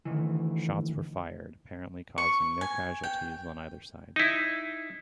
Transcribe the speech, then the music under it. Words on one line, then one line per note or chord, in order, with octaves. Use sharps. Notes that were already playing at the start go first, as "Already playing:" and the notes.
Shots were fired, apparently causing no casualties on either side.
D2 G#2 D#3 E3
C#6
G#5
G5
D#4 E4